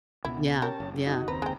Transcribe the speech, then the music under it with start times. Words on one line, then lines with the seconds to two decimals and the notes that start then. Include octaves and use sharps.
Yeah. Yeah.
0.25 C#2 B2 B3 E4
0.62 C#4 G4 A#4 A5
0.80 F#1
1.07 D#4 F#4
1.28 D#2 C4 B4 A#5
1.42 G#3 G5